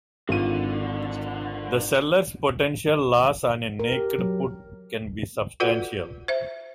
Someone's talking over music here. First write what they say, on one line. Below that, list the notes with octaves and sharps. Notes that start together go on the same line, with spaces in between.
The seller's potential loss on a naked put can be substantial.
G#1 D3 F4 D#7
A#4
G4
F#3
F4 F#4 A4 B4 D5 F#5
C5 E5